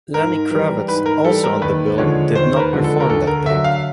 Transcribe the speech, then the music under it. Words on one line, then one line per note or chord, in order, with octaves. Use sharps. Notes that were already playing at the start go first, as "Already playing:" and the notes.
Lenny Kravitz, also on the bill, did not perform that day.
G#2 A#4
E3 G3
G#2 B4
A#4
E3 G3 A4
A#4
D#2 B4
D3 F3 G#3 C#5
D#2 C5
A#4
B4
D3 F3 G#3
A4
A#4
D2 A4
A#4
D3 F#3 E5
F5